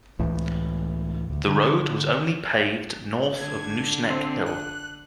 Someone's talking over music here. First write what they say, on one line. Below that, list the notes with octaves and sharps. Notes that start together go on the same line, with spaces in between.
The road was only paved north of Nooseneck Hill.
C#2 A2 E3
D2
D3
D3 G#6
C4
F#6